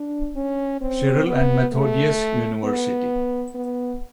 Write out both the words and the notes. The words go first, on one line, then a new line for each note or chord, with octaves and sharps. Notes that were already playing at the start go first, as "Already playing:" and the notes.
Cyril and Methodius University.
Already playing: D4
C#4
C4
B3
A3
B3
B3